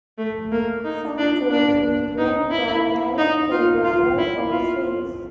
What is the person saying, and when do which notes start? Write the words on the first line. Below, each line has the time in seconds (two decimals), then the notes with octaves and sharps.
San Jorge is drained by various "quebradas" or streams.
0.18 A3
0.51 A#3
0.84 D#4
1.18 D4
1.51 D4
2.18 D#4
2.51 E4
3.18 D#4
3.51 F4
3.84 F4
4.18 E4
4.51 F4